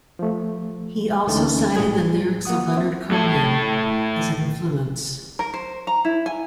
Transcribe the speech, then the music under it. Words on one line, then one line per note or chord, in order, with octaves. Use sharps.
He also cited the lyrics of Leonard Cohen as an influence.
F3 A3
D2 E3 A3 C#4 D#4 A5
A2 G3 G#4 G#6
A#3 F#4 F#5 D#6
C4 E5
A2 A4
A#4
C5
A#5
E4
G#5